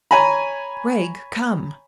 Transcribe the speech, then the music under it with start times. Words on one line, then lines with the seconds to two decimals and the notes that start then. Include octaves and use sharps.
"Gregg, come."
0.11 C#5 G#5 A#5 B5